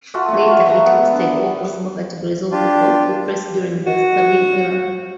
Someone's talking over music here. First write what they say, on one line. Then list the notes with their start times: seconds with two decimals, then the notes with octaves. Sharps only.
Later, it hosted all possible categories of people repressed during the Stalin era.
0.14 F4 F#4 A4 E5
0.28 A3
0.48 F#4 F5
0.67 E5 A#5
0.86 B3
1.13 D3
2.52 D4 F4 G4
3.86 F#4